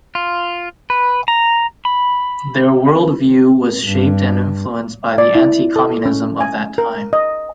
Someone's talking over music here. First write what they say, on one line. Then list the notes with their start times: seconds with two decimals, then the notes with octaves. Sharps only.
Their worldview was shaped and influenced by the anticommunism of that time.
0.15 F4
0.90 B4
1.28 A#5
1.85 B5
3.85 G2
5.18 D5
5.35 E4
5.76 A4
6.06 C#4
6.41 G#5
6.78 A#4
7.13 D#5